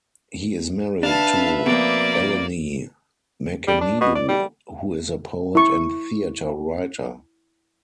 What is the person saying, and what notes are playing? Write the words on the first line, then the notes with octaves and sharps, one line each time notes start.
He is married to Eleni Merkenidou who is a poet and theatre writer.
D4 B4 E5 F5 A5
F2 B2 A#3 D5
G3
D4
B2
D5
G3
E4 C#6